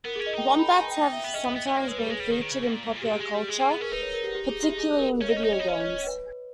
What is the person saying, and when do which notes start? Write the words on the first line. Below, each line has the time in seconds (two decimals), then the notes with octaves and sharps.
Wombats have sometimes been featured in popular culture, particularly in video games.
0.05 B3 A#4
0.16 G#4
0.20 C#4
0.26 D#5
0.33 D#4 G5
0.48 A#5
0.59 B5
0.70 A#5
0.81 G#5
0.91 G5
1.02 G5
1.13 E5
1.24 B3
1.34 C#4 D#5
1.44 B3
1.55 B3
1.67 B3
1.77 A#3 C#5
1.88 G#3 B4
1.98 G3
2.05 G#3 G#4
2.20 G3
2.31 D#3
2.42 D#3
2.51 C#3
2.63 B2
2.74 A#2
2.84 G#2
2.96 A#2
3.01 G4
3.06 A#2 G#4
3.20 G#3 G4
3.34 G3 G4
3.48 G#3 G#4
3.59 A#3 G#4
3.70 B3 G#4
3.80 C#4 A#4
3.92 D#4 B4
4.02 C#5
4.13 A#4
4.24 G4
4.35 G4
4.49 G#4
4.63 G4
4.78 G#4
4.99 A#4
5.21 C#4 C#5
5.29 D#4 D#5
5.37 C#4
5.41 D#4 C#5
5.50 C#4 D#5
5.59 D#4 C#5
5.68 C#4 D#5
5.80 C#5
5.98 C#5
6.07 B4